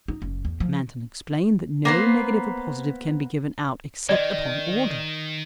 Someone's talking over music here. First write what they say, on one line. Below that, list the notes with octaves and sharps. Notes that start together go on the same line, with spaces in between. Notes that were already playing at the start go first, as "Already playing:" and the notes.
Manton explained that no negative or positive can be given out except upon order.
D#4
F#1
E2
F3
A#3 B3 C5
D#3 D5 D#5